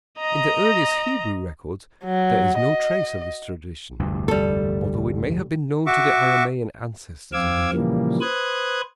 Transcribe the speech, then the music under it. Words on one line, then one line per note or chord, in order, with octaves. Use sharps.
In the earliest Hebrew records there is no trace of this tradition, although it may have been known to the Aramean ancestors of the Hebrews.
D#5 A#5
F#3
D#5
F1 D2 G2
G3 A4
F#4 E5 C#6 D6
F2 C4 F5 D6 E6 G#6
A#2 C#3 E3 F3 G3 A#3
B4 C5 D#6 F#6 G#6